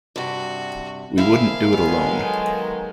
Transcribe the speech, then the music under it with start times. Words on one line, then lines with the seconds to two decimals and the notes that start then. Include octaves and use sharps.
We wouldn't do it alone.
0.16 G2 C3 F#4
1.18 D3 A#3 C4 E4 G#4 F5
1.73 D#3 F#3 G#3 B3 A4 A#4 G#5